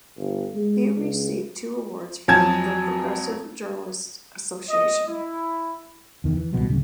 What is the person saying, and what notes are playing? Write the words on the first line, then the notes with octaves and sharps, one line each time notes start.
He received two awards from the Progressive Journalists Association.
G1
G#3
C#2
F2 F3 F#3 G#5 A5 G#6
D#5
E4
E2 D#3
E3
D1 C2 B2 B3
D1 C#3